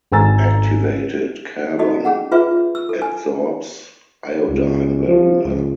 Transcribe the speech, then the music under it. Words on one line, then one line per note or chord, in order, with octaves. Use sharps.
Activated carbon adsorbs iodine very well.
G#1 A4 G#5 A#5 E6 A6
D#4 F#4 A4 D5 D#5
C#4 G#4 F#5
F4 G#4 B4 C#5 E5
E6
A4
G#5
C#2
F3
C#2